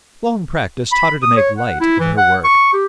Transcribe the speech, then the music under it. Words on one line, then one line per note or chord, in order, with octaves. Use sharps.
Long practice taught her to make light of her work.
B5
D#6
C#5
F#5
E4
E3
F#5
C#6
G4